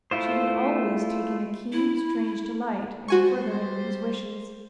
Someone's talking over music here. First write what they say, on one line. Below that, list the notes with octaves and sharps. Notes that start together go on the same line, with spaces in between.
She had always taken a keen, strange delight in furthering his wishes.
A3 E4 F4 C5
E4
G3 F#4 C5 G#5 C#6